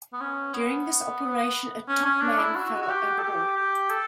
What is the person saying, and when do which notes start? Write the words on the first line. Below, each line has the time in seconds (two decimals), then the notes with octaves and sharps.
During this operation, a topman fell overboard.
0.13 B3
0.21 C#4
0.54 B3
1.88 C#4
2.05 C#4
2.22 D4
2.39 E4
2.56 F#4
2.82 F#4
2.89 G4
3.18 A4
3.23 G4
3.56 G4
3.90 A4